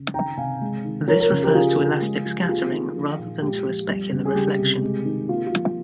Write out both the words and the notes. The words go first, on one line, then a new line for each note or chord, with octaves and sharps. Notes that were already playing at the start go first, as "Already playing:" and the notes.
This refers to elastic scattering rather than to a specular reflection.
Already playing: C#3
D#3 G5 A#5
C3 F5 G#5
G#3
D#3
F3 A#4 C#5
A#4 C#5
C#3
G4 A#4
F3 F4 G#4
C#3
G#3
F3
G4
A#3 F4 G#4
D#3
F3
A#2
G#3 G4
F3
G3
C#3
G#4
G3 G4
C3
G#3
D#3
A#3 F4
F4
F3